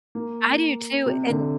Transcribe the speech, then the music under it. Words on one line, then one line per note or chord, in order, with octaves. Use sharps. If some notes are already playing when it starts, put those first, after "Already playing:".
I do, too, and
A#3
C3
D3